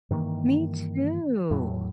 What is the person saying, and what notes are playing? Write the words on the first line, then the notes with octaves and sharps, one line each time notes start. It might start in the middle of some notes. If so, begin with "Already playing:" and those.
Me too,
G2 D#3 E3 A#3
E2 A2 F#3